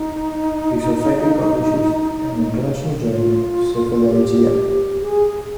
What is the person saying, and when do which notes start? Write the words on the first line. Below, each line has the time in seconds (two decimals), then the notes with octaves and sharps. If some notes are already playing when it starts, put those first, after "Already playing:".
The society publishes an international journal "Cephalalgia".
Already playing: D#4
3.12 F4
4.07 G4
5.01 G#4